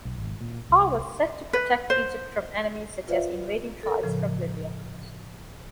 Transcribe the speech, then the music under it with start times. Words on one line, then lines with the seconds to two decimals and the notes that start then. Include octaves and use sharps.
Ha was said to protect Egypt from enemies such as invading tribes from Libya.
0.05 B1
0.18 G#1
0.41 A#2
0.70 C2
1.53 B4
1.90 C5
3.08 F4 B4 C5 D5 E5 F5
3.83 A4 A#4
4.03 A2 C#3 F3